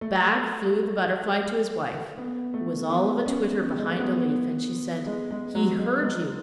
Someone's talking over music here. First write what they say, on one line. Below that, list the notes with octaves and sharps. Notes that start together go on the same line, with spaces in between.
Back flew the Butterfly to his wife, who was all of a twitter behind a leaf, and she said, 'He heard you!
A3
B3
A3
B3
C#4
C#4
G#3
A3
B3
G#3
G#3
F#3
G#3
G#3